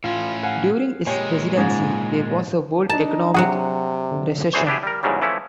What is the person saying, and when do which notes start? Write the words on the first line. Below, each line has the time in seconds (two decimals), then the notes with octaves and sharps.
During his presidency, there was a world economic recession.
0.04 A2 C#4 F4
0.43 F5 F#5 G#5
1.07 A#2 G#3 G4 C#5 G#5
1.58 G#2 C#3 F3
2.89 D4 D#4 A5 A#5
3.34 C3 F#3 F#4 G#4 F#5
4.11 D3
4.53 D2 E3 G#4 C5 C#5
4.67 D4 E4 G4 G#4
4.83 G3 A#4
5.03 E2 G#2 C#3 F#3 G3
5.22 E3 F3 A3 C#4 E4